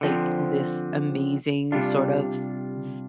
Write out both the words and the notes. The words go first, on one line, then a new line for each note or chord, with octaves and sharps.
like this amazing sort of v
D3 F3 C4
C3 G3 D4 F4